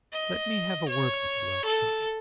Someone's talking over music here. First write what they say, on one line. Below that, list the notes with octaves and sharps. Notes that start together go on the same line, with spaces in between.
Let me have a word with you outside.'
D#5
C#5
A4